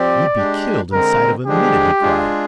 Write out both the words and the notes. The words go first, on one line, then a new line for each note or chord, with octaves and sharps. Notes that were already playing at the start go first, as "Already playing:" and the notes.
"You'd be killed inside of a minute!" he cried.
Already playing: F3 C4 G4 D5
G#3 D4 G4
D3 G#3 C4 A#4
D3 F3 G#3 D4 G4 G#4
G#3 D4 F4 G#4